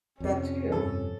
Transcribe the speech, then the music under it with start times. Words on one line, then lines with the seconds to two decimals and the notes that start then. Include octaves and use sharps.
That too.
0.20 F2 C3 C#4
0.72 G2 A4